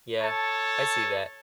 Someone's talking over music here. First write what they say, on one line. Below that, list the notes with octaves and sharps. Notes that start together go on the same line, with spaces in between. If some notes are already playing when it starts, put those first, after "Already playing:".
Yeah, I see that.
A4 C#5 A5